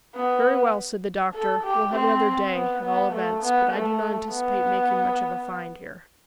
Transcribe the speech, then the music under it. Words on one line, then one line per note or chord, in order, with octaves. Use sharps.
"Very well," said the doctor; "we'll have another day, at all events; but I do not anticipate making much of a find here."
B3
A4
G4
C4
B3
B3
A3
B3
A3
B3